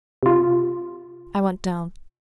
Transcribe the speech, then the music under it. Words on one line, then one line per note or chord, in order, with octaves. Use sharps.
I went down.
C3 F4